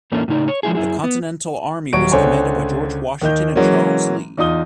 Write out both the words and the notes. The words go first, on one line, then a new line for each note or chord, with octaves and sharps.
The Continental Army was commanded by George Washington and Charles Lee.
E2 A2 A3 A#3 C#4 D4
A2 C#3 C4 D#4 D5
C#5
F3 G#3 E4 G#4
F#2 E4 G#4
B3
D#1 F#3 C#6 D7
C#2 D3 C5 C#5 G#5
D#2 D#3 D#5 G6
E3 F#3 G#3 A#3 C#4
E2 D#4 F4 D#6 G7